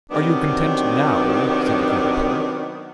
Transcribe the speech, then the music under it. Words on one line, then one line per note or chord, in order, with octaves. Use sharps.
'Are you content now?' said the Caterpillar.
C3 D#3 F#3 B3 D4